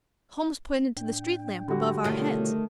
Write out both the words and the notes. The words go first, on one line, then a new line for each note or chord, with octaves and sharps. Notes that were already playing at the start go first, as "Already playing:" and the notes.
Holmes pointed to the street lamp above our heads.
A2 D4 G5
D3 G3 F#4
B2 D#3 A3 F4 C#5